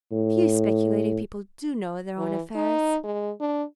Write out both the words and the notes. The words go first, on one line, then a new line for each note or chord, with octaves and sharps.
Few speculative people do know their own affairs.
A2
E3
D#4
G#3
D4